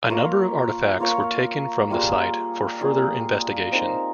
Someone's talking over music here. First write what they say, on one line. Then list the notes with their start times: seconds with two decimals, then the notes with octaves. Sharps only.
A number of artifacts were taken from the site for further investigation.
0.09 A#3 F4 A#4 C#5
1.00 A#3 F4 A#4 C#5
1.90 G3 A#3 F4 G#4
2.81 G3 A#3 F4 G#4
3.72 C4 D#4 A#4